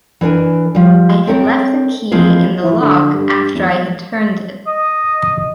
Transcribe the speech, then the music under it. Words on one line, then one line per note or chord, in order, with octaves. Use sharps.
I had left the key in the lock after I had turned it.
E3 D4 A#4 G#5
F3 G3
C4 A4 A#4 C#5
E3 F3 G#3 A#3 C4 G#4
E3
D3
G2
E2
D#5